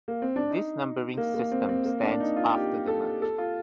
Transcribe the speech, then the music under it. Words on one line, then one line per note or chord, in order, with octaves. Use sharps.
This numbering system stands after the merge.
A#3
C4
D4
D#4
A#3
A#3
C4
C4
A#3
D4
D#4
F4
G4
A4
A4
F4